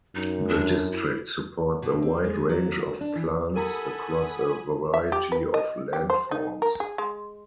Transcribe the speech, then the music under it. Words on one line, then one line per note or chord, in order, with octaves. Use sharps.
The district supports a wide range of plants across a variety of land forms.
F#2 D#4
D4
E4
B2
C4
G#3
F#3
F#4
D4
E3
E4 G4 A4 A#4 F#5 G#5 B5 D#6
E5
G4
B4
D#5
G4
C5
D#4
A#4
G#4
G#3